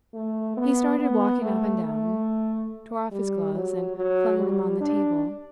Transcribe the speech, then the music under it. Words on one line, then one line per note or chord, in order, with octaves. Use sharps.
He started walking up and down--tore off his gloves and flung them on the table.
A3
B3
B3
A3
A3
G3
F#3
F#3
G3
D4